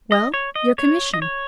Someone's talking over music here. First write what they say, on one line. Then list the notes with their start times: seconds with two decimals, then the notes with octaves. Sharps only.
"Well,--your commission?"
0.12 D#5
0.34 C#5
0.56 D#5
0.78 C#5
1.14 D#5
1.22 C#5